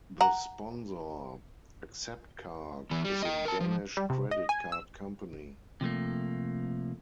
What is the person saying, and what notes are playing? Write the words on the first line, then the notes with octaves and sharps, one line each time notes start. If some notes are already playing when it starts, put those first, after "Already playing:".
The sponsor, Acceptcard, is a Danish credit card company.
F#5 A#5
E3 B3
G3
D#5 G5
A#4 A5
F3
G3
C3
D#5
G#5
E6
C3 F3 A3 A#3